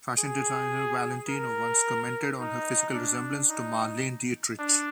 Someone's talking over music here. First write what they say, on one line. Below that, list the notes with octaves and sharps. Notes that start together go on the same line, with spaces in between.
Fashion designer Valentino once commented on her physical resemblance to Marlene Dietrich.
G#4
A#4
D#4
D4
D#4
D4